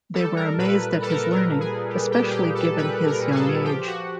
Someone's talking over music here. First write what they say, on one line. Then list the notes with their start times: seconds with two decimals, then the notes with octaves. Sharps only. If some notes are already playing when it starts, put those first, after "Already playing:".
They were amazed at his learning, especially given his young age.
0.14 G3 A4
0.36 A#4
0.58 A#2 B4
1.02 G3 A4
1.09 A#4
1.17 A4
1.31 A#4
1.46 A#2
1.60 G#4
1.89 G3
2.11 G4
2.23 G#4
2.33 A#2 G4
2.55 A4
2.77 G3 B4
3.06 A#4
3.20 A#2
3.31 G#4
3.35 A4
3.64 F3 G4
3.87 F#4